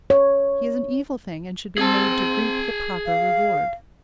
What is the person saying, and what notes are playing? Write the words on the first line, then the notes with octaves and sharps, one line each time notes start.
He is an evil thing, and should be made to reap the proper reward.
C#5
C4 G#4 A5
F5